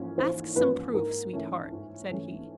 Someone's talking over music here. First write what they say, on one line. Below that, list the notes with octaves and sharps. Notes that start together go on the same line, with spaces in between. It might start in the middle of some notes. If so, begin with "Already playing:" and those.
'Ask some proof, sweetheart,' said he.
Already playing: A1 G#2 F3 A#3 C#4
A1 C5
G#2 F3 A#3 C#4 B4
G#2 A#4
E3 A3 C#4
G#2
E3 A3 C#4